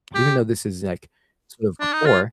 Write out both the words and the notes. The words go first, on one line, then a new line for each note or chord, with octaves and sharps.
even though this is, like, sort of a poor,
G4
D4
D#4
F4